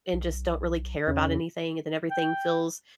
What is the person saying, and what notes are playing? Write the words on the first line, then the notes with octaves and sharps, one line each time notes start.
and just don't really care about anything, and then everything feels
B1
E2 C#3
G5